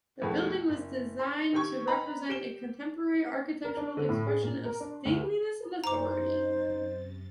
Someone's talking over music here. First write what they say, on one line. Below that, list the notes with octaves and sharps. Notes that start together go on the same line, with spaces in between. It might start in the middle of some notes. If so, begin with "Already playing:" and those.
The building was designed to represent a contemporary architectural expression of stateliness and authority.
C2 F2 B2 G#3 A3
F#1
C6
C3 D#3 G4 G5 C#6 G#6
D#4 B4 A#5 B5
G4 D7 E7 G7
A#4
D4
D3
A2
G#4
A#2
A#4
D4
D2
F#2 C3 D#4 C5 A#5 D6 A6